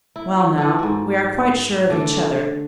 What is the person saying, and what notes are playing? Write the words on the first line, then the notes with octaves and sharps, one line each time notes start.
'Well now, we are quite sure of each other.
E4
E3 F3 A4
G#2 F#4
D3 A3 D4